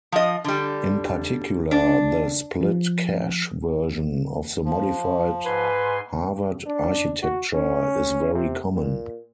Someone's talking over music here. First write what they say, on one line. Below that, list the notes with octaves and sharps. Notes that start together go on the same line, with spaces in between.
In particular, the "split cache" version of the modified Harvard architecture is very common.
F3 D#5
D3 G3
D4
F3
F3
G#2 B4 G#5 C6
D4
F#4
C#4
C3
A#2